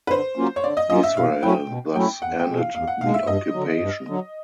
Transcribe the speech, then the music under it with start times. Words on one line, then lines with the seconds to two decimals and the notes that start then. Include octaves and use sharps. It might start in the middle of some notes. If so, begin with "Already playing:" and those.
Israel thus ended the occupation.
0.07 B4
0.11 D3 C5
0.37 F#3 A#3 C#4 F4
0.56 C#5
0.64 D3 D5
0.77 D#5
0.90 F#3 A#3 C#4 F4 D#5
1.03 E5
1.16 B2 F5
1.43 F#3 A3 C#4 E4 G5
1.69 B2
1.95 F#3 A3 C#4 E4 G5
2.22 E2 F#5
2.39 G5
2.47 B2 G#3
2.57 F5
2.75 E2 F5
2.87 F#5
3.01 B2 G#3 F5
3.14 E5
3.27 G2 D#5
3.53 D3 F#3
3.80 G2
4.06 D3 F#3